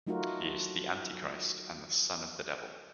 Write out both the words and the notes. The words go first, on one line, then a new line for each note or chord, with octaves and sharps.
He is the Antichrist and the son of the Devil.
F#3 A3 D#4 F4 F#4 A#4